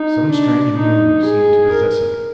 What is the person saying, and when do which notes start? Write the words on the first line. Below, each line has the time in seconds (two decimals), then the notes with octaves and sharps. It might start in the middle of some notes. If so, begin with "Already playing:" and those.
Some strange mood seemed to possess him.
Already playing: D#4
0.32 D4
0.78 D#4
1.24 G#4
1.71 A#4